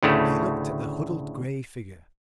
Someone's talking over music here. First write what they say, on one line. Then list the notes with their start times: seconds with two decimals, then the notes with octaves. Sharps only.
He looked at the huddled grey figure.
0.03 D2 A2 C#3 A3